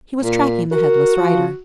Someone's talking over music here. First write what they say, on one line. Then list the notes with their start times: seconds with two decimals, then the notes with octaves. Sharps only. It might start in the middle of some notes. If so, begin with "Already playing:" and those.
He was tracking the headless rider.
0.23 A#2
0.72 F#4 A#4
1.17 F3